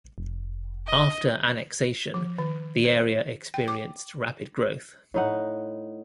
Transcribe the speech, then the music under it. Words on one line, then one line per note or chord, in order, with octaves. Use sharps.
After annexation, the area experienced rapid growth.
F1
D#5
F3
D#3
C5
G5
D6
A2 D#4 F#5